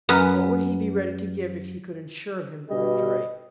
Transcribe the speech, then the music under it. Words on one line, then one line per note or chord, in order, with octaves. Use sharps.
What would he be ready to give if he could insure him the victory?
F#2 B4
G2 B2 G3 D#5